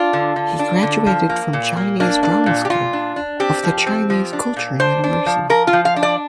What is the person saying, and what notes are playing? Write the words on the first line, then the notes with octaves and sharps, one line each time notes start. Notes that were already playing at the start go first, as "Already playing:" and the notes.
He graduated from Chinese drama school of the Chinese Culture University.
Already playing: D4 F4
D3
D3
D4
D3
F3
A#3
A#2
A#3
A#3 D4
D4
A#2
G4
A#2 F4
D4
D4
C4 G4
F3
C4
F3
D4
A#2
D4 C5
D4
F3
F3 A#4
F4
F3
F5
D4
D5